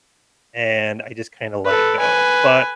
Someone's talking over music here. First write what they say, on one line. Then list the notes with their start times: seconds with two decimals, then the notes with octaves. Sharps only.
and I just kinda let it go, but,
1.65 A4 B4
1.99 B4 G#5